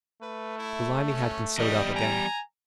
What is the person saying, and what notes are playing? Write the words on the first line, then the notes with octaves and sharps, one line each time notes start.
The lining had been sewed up again.
A3 B4
E4
C#4
E2 G3 D#5
G#5 A#5